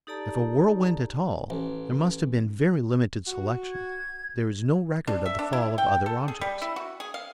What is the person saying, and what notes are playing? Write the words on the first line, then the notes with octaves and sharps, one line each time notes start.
If a whirlwind at all, there must have been very limited selection: there is no record of the fall of other objects.
D#4 G4 A4 D5 A5 A#5
A1
F#4
G#6
D4
E5
D4
E4
G5
A4
G#4
G3
E4
F#4
G#4
F5